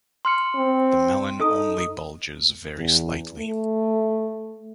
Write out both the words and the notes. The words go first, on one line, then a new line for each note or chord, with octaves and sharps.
The melon only bulges very slightly.
C6 F6 C#7
C4
D#4 A4 D#6
E2
A3